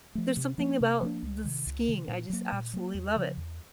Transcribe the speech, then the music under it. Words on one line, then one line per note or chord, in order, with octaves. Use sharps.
there's something about the skiing. I just absolutely love it.
F3 A3
C3
F3 A#3 D4
C3
F3 A#3 D4
C#2
C3 D#3
C#2
C3 D#3
A#2
F#3 A#3
A#2
F#3 A#3
E2
C#3 F3
E2